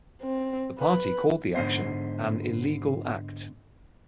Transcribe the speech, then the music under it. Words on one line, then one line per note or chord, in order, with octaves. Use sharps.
The party called the action "an illegal act".
C4
B4
G#2 D3 B3 C5